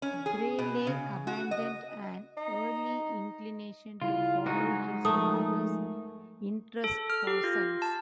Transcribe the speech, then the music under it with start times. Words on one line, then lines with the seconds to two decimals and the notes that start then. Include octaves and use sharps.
Brayley abandoned an early inclination to follow his father's interests for science.
0.02 C#4
0.26 G#4
0.59 B2
0.87 C#3
1.27 F#4
1.51 D#5
2.37 D#4
4.02 C#3 G3 E4 F4
4.46 G#2 D#4 F#4
5.05 F3 A3 A#4 D#6
6.84 A4
7.10 F6
7.27 G4
7.44 F4
7.82 A5